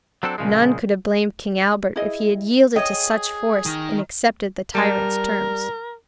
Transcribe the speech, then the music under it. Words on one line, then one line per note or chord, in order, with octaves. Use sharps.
None could have blamed King Albert if he had yielded to such force and accepted the tyrant's terms.
F#3 C4 D4 A4
A#2 C#3 F3 G#3
E4 G#4 D#5
G#4 C#5 D#5 G5
D#3
G3 A#4 A5